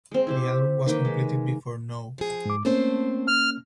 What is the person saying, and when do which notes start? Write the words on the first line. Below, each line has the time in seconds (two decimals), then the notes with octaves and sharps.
The album was completed before "No".
0.11 G#3 C4
0.27 E4 G4 C5
0.86 D#3 A#3 B4 G5
1.05 G#3
2.18 F3 G#4
2.46 G#2 D6
2.65 A3 A#3 C4 C#4 C5
3.28 F6